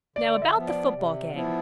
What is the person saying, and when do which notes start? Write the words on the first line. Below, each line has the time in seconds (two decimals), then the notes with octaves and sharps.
Now about the football game.
0.16 D3 D5
0.42 E5
0.55 F3 B3
0.67 D5
0.93 C3
1.32 F3 B3 E4